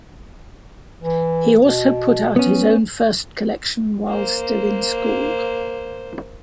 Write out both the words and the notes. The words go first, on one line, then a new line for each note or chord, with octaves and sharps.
He also put out his own first collection while still in school.
E3
B2
B3 C#4
A#3 C5